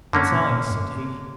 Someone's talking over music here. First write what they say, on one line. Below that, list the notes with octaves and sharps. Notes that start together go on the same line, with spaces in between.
"It's I," said he.
F#2 D3 A#3 C#4
A#2
A#2
G2